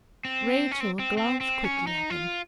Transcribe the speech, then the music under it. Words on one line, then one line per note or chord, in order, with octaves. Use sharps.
Rachel glanced quickly at him.
C4
C#4
C4
C4
C4
C4
C#4
D#4
F4